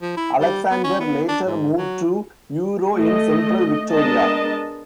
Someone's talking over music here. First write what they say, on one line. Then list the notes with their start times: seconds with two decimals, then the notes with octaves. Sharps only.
Alexander later moved to Euroa in central Victoria.
0.02 F3
0.17 E4
0.40 G3
0.71 B3
0.84 C#4
1.00 B3
1.28 D4
1.46 G#2
1.77 F#3
2.93 A3 D#5
3.91 G#3 B3 D4 A#4 D#5 A5